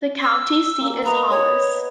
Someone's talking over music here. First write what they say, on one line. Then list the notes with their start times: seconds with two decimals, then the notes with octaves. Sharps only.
The county seat is Hollis.
0.22 E6
0.81 A#3
1.05 B3 D#5 A#5
1.30 C#5 D#5